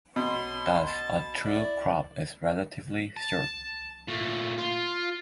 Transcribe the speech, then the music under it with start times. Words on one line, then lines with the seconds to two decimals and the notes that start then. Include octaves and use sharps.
Thus, a true crop is relatively short.
0.16 B2 C#4 C6
0.87 A5
1.42 E4 D5
3.17 A5
4.08 A#2 A3
4.58 F4